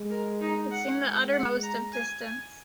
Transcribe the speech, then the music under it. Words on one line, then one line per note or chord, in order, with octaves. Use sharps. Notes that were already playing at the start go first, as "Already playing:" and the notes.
It seemed the utter-most of distance.
Already playing: G#3
A#4
D#4
F#5
G#3
F#5
A#5
G#5
G#5